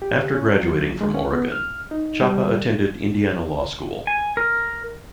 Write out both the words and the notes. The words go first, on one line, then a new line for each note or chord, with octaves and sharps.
After graduating from Oregon, Chapa attended Indiana Law School.
G4
C#4
F#3
G#3
C#4
B3
F6
D#4
G3
G#5
A#4